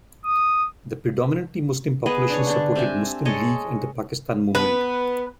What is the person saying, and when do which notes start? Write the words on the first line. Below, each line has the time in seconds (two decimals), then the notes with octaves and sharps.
The predominantly Muslim population supported Muslim League and the Pakistan Movement.
0.25 D#6
2.06 B3 G#4 B4 D#5
2.30 D4 C#5
2.47 D3 D4
2.75 C4 G4 E5 G#5
3.25 G#3 A4 C#5 D#5
4.55 B3 B4